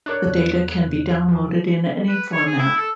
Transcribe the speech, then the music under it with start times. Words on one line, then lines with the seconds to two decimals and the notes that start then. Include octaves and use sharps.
The data can be downloaded in any format.
0.06 D4 A#4 C#5 C#6 F#6
0.26 E2 F#6
1.28 F3
2.08 B4
2.33 C#5
2.46 G#4
2.58 E4
2.77 A4